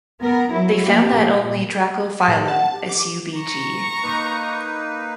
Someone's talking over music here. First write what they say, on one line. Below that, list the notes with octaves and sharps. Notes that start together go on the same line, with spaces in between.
They found that only "Dracophyllum" subg.
B3 A#4
F#3 E4
F3 A#3 G4
A#2
G4
A2
F#5 A5
G4
G4 D6
A#5 C#6
A#3 D#4 B4